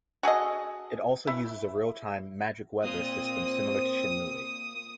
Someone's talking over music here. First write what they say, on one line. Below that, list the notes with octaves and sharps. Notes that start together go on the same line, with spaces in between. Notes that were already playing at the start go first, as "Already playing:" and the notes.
It also uses a real-time "Magic Weather" system similar to "Shenmue".
F#4 G#4 A4 D#5
E4
A#3 C4 F4 D#6